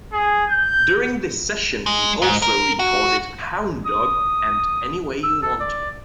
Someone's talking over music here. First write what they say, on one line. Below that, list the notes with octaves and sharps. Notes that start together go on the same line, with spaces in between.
During this session he also recorded "Hound Dog", and "Any Way You Want Me".
G#4
G6
G#3
G#2
A#4
F#4
D#6
E6
A4
D5